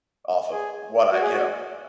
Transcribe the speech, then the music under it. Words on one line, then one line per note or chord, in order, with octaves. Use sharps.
Off of what I you know,
G#4
F#4
G#4
F#4